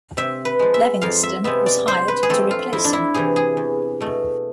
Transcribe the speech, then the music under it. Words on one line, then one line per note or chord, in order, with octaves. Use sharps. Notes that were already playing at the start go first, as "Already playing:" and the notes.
Levingston was hired to replace him.
C3 E5
B4
F3 G#3
E5
F2 F5
E5
C3 G#3 B3 E5
D5
C3 C5
B4
G#4
F3 A3 C4 A4
F4
F2 E4
D4
E4
C3 E3 G#4
G#4
E2
B2 A3